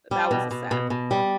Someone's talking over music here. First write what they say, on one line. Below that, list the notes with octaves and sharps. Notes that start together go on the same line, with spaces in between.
That was a sad
G3
B2
B2
B2
B2
G3